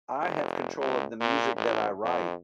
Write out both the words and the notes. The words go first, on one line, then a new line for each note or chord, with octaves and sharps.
I have control of the music that I write,
F1
C#2
A#2
A1
F2